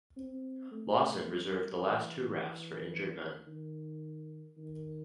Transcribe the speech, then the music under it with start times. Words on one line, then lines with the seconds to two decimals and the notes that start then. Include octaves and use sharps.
Lawson reserved the last two rafts for injured men.
0.17 C4
0.71 A3
1.27 G3
1.82 E3
3.47 D#3
4.57 D#3